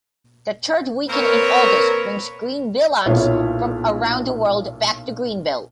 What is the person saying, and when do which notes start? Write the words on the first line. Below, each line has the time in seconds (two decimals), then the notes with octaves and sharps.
The third weekend in August brings Greenvillians from around the world back to Greenville.
1.09 A#3 C4 A#4 B4 C#5
3.06 B1 A#2 E4 F4 C#5